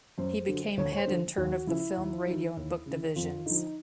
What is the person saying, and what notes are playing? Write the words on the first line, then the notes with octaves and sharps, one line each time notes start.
He became head in turn of the Film, Radio and Book divisions.
F#2 C5
D3 F#3
D2 C#5
C#5
C5
D3 F3
D#2 F#4
C#3 F3 E4
D#2
D#3 F#3
D#2
C#3 E3
F2 F4
D3 F3 D#4